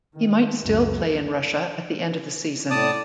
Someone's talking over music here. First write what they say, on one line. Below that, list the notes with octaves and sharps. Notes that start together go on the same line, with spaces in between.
He might still play in Russia at the end of the season.
D#3
C#2 F#2
A2 D5 A5 D#6